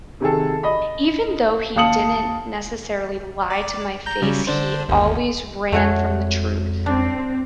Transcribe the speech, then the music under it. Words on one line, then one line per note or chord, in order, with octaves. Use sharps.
even though he didn't necessarily lie to my face, he always ran from the truth,
C3 D#3 G#4 A4
D#5 B5
D#2 F5 A5 D#6 C#7 F#7
D5
A#5 G6
C#3 F#3 G3
D3 D4 C5
G1 D#2
F2 G#3 A3 F#4 C#5
C4 D4